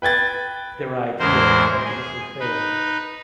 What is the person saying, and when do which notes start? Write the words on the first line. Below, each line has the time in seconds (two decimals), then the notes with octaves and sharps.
Their idea ultimately failed.
0.02 B4 G5 G#6 A6
1.20 E2 A2 G#3 A#4 C5
1.85 G#4
2.40 D#4 B4